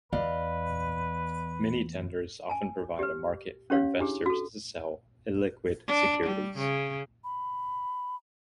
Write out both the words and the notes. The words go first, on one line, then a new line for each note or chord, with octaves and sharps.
Mini-tenders often provide a market for investors to sell illiquid securities.
E2 B4 D5 D#5 F5
G#5 A5
G4 B4
C#4 G4 C#5 F5
D4 E4 G4 G#4
F#4 A4
D4
G3
C#3
B5